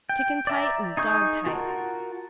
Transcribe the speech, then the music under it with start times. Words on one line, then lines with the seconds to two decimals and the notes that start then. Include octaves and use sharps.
Chicken-tight and dog-tight.
0.09 G5
0.47 D5 E5 A#5
0.97 D#4 G#4 C#6 G6
1.46 F4 F#4 A#4 A5